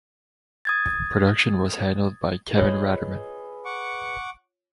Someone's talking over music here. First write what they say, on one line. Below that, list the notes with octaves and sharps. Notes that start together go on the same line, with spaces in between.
Production was handled by Kevin Ratterman.
D#6 G#6 A6
F4 G#4 B4 C#5 D#5
F#5 C#6 D6